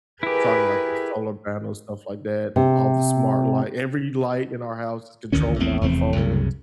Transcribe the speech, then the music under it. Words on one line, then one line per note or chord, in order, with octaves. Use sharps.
I'm trying to like get solar panels, stuff like that, all the smart light every light in our house is controlled by our phones,
E4 G4 G#4 A#4 B4
C3
A1 D2 D#3 C#4
A#1 E2 A3 C4
F1 E2 A3 C4
C2 F#2 C#3